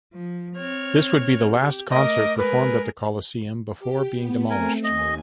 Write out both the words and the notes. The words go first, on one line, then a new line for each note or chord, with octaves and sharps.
This would be the last concert performed at the Coliseum before being demolished.
F3
C4 C#5 F6
G4
A3 A#4 D#5 D6
G#3 G#4 A#4 B4
G4
B3
A3 C4 A#4 G#5
D#2 D#5 G#5